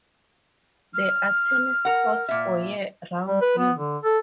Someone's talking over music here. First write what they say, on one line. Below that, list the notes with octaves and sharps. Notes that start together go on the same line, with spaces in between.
There are tennis courts for year-round use.
F6
A#4 F#5
A#2 E5
G3
B4
B3
D3
A4